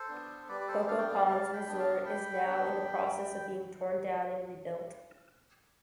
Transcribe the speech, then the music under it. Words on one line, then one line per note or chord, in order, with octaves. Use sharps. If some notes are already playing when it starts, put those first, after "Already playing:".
Coco Palms resort is now in the process of being torn down and rebuilt.
Already playing: A4 C5
B3 D4
G3 B4 D5
D5
A4 C5
B3 D4 D5 F5
G5
D5 F5
G3 F5 A5
G5 B5
B3 D4
B5
F5 A5
G3 G5 B5
B3 D4
G3